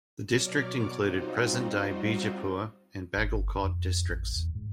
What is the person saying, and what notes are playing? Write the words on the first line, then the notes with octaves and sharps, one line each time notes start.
The district included present-day Bijapur and Bagalkot districts.
B2 F#3 C#5 D5 D6 F6
G3 C4 D#4 F4 F#4 C5
G1
F2
A1
E2
G#2